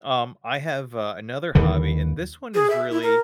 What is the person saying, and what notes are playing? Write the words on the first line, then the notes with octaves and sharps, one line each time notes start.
Um, I have, uh, another hobby, and this one is really
D#2 D3 E3
G#4
E5
E4
A#4